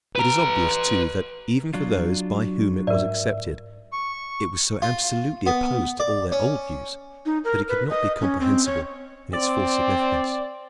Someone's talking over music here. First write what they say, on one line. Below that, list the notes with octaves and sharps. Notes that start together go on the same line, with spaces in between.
It is obvious, too, that even for those by whom it was accepted, it was so absolutely opposed to all their old views that it could not be comprehensible in its full significance.
B4 A#5
F#3 D4 F4
G#2 A#4 D5 E5
C#6
F4
B3
D5
C#4
D#4
A#4
B4
D#5
C#4
C4
C#5
C4 D5